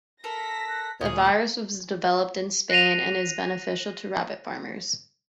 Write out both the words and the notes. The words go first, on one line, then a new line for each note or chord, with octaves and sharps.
The virus was developed in Spain, and is beneficial to rabbit farmers.
A4 A#4 A#6 B6
F#6
D2 A#2 C#4 G#4 D#6
F#6 A#6 C7 D#7 F7